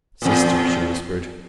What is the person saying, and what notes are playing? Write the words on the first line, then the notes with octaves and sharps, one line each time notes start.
"Sister!" she whispered.
E2 A#2